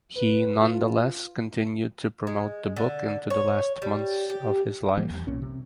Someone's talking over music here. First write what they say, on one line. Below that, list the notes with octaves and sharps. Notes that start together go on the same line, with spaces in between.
He nonetheless continued to promote the book into the last months of his life.
B4
F4
G#3
D3
C#5
G3
G4
E3 G3 A#3
E2
B1 A#2 C#4
C3